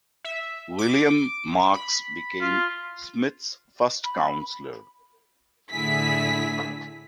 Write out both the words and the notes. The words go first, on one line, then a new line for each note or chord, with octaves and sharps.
William Marks became Smith's First Counselor.
E5
D6
B5
F4
B5
A2 D3 E4 G#4 B6